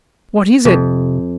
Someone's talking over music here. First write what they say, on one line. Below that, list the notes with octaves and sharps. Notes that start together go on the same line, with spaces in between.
What is it?
F2 C3